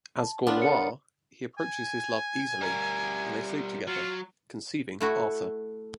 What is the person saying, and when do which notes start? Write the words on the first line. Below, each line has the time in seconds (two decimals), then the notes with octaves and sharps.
As Gorlois, he approaches his love easily and they sleep together, conceiving Arthur.
0.19 A5
0.47 B3 D4 F4 F#5
0.60 A#4 C#5 C#7
1.58 G#5
2.61 G3 A#4
3.87 F#3 F4
5.01 A3 E4 F#4